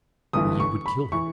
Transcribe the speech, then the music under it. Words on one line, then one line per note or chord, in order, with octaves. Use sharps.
"For ye would kill him."
G1 G2 E3 D#6
C#6
B5
E3 C#6